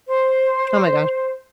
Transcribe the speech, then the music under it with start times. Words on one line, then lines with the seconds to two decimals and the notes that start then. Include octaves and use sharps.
Oh my gosh.
0.07 C5